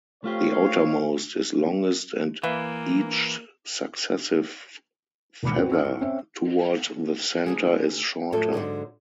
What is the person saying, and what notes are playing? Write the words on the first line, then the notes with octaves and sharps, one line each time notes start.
The outermost is longest and each successive feather toward the center is shorter.
A3 C4 F4 G4 C#5 F5
E3 A#3 B4 E5 F5
E1 D#2 G#2 B5 D6 C#7
C4 C#4 D#4 F4 F#4 B4
C#4 E6 F6
A2
C4 C#4 C5 E5
D2 G2 G#4
F2 A2 F#3 A4
G#2 D3 F#3